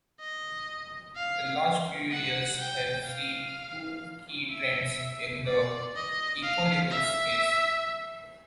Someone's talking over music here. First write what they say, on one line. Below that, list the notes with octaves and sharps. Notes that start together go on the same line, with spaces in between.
The last few years have seen two key trends in the ecolabels space.
D#5
F5
F#5
G5
F5
E5
D5
D#5
F5
E5